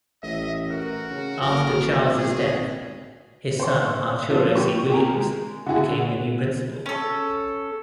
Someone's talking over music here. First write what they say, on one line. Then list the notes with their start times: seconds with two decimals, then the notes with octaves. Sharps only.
After Charles' death, his son Arturo C. Williams became the new Principal.
0.23 A1 D#5 E5
0.70 F#4 A#4
1.11 C#3
1.41 F#1 F#4 A#4
2.17 G#1 G#4
3.60 C5 C#6
4.30 F3 D4 F4
4.55 G4 C#6
4.90 G4 G#4 A#4
5.14 G#3
5.66 D3 E4 F#4 G#4
6.86 C#4 A4